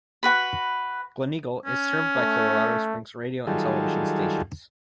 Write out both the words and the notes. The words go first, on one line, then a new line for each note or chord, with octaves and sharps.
Gleneagle is served by Colorado Springs Radio and Television stations.
F#4 B4 B5
C#4
A3
D#3 F#3 G3 F4 G#4 A4